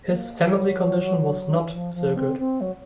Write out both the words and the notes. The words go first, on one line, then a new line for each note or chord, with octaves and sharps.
His family condition was not so good.
A#3
F#3
D#3
F3
F3
C4
C4
F#3